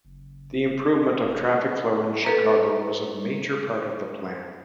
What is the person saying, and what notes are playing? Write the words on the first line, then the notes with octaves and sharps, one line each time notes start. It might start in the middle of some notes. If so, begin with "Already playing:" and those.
The improvement of traffic flow in Chicago was a major part of the plan.
F#1
D#1
A4 B4 A#5